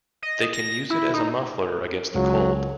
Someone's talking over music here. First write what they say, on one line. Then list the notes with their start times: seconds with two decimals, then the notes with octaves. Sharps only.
They can use it as a muffler against the cold.
0.22 D#5
0.53 A#6
0.90 E4
1.14 D#4
2.14 C#2 F#3